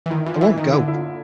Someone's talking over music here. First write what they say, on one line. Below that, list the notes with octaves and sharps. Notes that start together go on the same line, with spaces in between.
I won't go!
E3
D#3 E4
E3 F4
F3
E3 E4
D#3 D#4
D3 E4
E4
F4